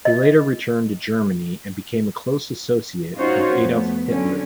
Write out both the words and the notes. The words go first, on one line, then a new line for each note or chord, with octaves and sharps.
He later returned to Germany and became a close associate of Adolf Hitler.
D#5
C#4 D#4 F4 F#4 C5 C#5
F2 A3 B3
D3 F#3 C#4